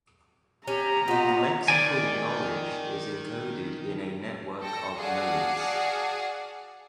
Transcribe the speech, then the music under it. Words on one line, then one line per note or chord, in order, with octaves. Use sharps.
The lexical knowledge is encoded in a network of nodes.
C#4 G4 A#5
B3 C#4 D#4 F4
D#3 D5 G#5
A4 G5 A#6 C#7
F#4 G#4 D5 F5 F#5 A5